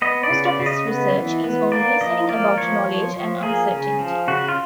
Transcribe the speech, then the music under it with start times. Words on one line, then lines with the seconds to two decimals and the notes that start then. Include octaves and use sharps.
Most of his research is on reasoning about knowledge and uncertainty.
0.02 B3 D#5
0.23 D5
0.30 C#3
0.45 D5
0.59 C#3
0.66 D#5
0.87 B3
1.16 E3
1.44 B3
1.72 A#3 D5
2.01 F3 D#5
2.29 A#3 D5
2.57 F3 C#5
2.86 F3
3.14 F3
3.43 A#3 G#4
3.71 C#3
3.99 F3
4.28 C#3 F#4
4.49 F4